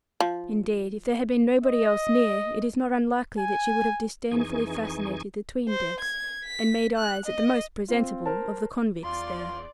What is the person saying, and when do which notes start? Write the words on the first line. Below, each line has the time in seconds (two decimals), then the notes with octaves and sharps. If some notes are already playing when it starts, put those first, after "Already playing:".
Indeed, if there had been nobody else near, it is not unlikely that she would have disdainfully fascinated the 'tween-decks, and made eyes at the most presentable of the convicts there.
0.20 F3
1.64 D#5
3.38 G#5
4.31 F2 E3 D#4 G#4 G#5 C#6
5.69 C5
6.01 G#6
6.45 B6
6.97 F#6
7.27 D#5
7.88 C4 F4
8.26 A#4 C5 A5
9.04 E2 F4 D5 C6